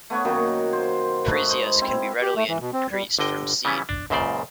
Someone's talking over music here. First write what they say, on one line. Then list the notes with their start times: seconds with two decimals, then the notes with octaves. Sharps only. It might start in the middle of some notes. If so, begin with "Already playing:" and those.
Freesias can be readily increased from seed.
0.10 A3 B3 C#5 F#5
0.25 F#2 D#3 A#3
0.73 C5
1.26 G#2 A3 B4
1.49 C5 D#5
1.81 C4 E4
2.22 G4
2.36 A3
2.49 E3
2.61 B2
2.73 C4
2.91 G3
3.19 G1 D3 D#5 G5
3.65 C#3 E3 F#3 G3 B3 C#4
3.89 D4
4.10 C#2 F#2 A#2 C#3 C5 D5